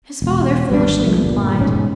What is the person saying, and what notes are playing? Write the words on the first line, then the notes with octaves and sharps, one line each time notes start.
His father foolishly complied.
E1
G#1 G3 D4
C2 F3 G#3 A3
G1 A#2
E1 G#2 C#4